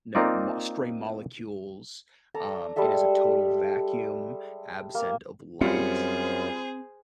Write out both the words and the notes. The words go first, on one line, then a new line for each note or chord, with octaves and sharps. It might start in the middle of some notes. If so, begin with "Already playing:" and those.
no mo stray molecules. Um, it is a total vacuum absent of light.
A#3 C4 D#4 F4 D5
A4 D5 A#5
G3 G#3 A4 E5
A#3
F#2 G3 C4 F4 G#4 C5 C#7